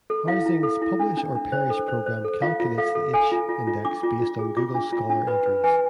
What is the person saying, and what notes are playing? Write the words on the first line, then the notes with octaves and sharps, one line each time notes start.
Harzing's "Publish or Perish" program calculates the "h"-index based on Google Scholar entries.
A4
E4 F5
E4
A4
E4
D4
D4
D4
C5
A4
C5
C5
A4
F4 F5
F4
A4 F5
A4
A4 G#5
F4
F4
F4
D4 D6
F4
F4
G#4
F4 D6
D4
F4
D4
B4 B5
B4
B4 G#5